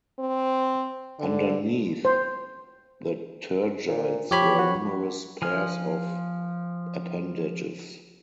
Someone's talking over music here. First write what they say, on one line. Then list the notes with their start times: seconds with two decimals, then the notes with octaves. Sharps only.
Underneath the tergites were numerous pairs of appendages.
0.19 C4
1.19 D3
2.05 C5
3.88 A#2
4.31 F3 G4 C#5 B5
4.58 F#4
5.42 F3 G#5 F6